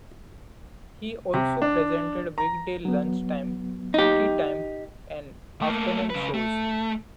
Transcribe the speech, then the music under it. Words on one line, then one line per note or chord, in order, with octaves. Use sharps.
He also presented weekday lunchtime, teatime and afternoon shows.
C3
D4
A#5
F#3 B3
D#4 G4
A3 A#3
C#3 B4
A3